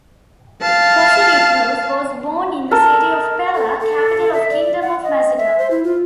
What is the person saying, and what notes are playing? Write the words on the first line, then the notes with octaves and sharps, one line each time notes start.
Posidippus was born in the city of Pella, capital of the kingdom of Macedon.
F5 A5
A4 A#4
A4
A4
E5
D5
F#5
D#5
E5
C5
E4
F4